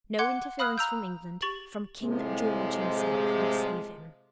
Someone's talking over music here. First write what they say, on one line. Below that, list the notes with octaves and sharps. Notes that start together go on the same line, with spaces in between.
No interference from England--from King George himself--would save him.
F#5 C6 D6 F#6 G#6
F5 B5 D#6 F6 F#6
A#5 E6 G6
G4 C#6 A6 F#7
A2 C3 F3 G#3